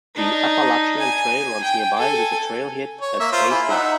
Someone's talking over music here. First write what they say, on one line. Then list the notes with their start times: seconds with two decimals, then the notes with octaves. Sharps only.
The Appalachian Trail runs nearby, with a trailhead at Keyes Gap.
0.15 D4 D#4
0.99 G#5
1.63 G5
1.97 A4 G#5
3.01 C#5
3.20 A#3 E5
3.32 F4 C5
3.51 E4 G#4
3.69 D#4 E5 F#5